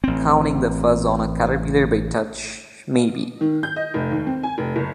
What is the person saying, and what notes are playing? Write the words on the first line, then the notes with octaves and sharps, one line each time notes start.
Counting the fuzz on a caterpillar by touch, maybe.
A1 C4
D#3
G6
D#5
F1
D#2
C4
G#5
F1
F#1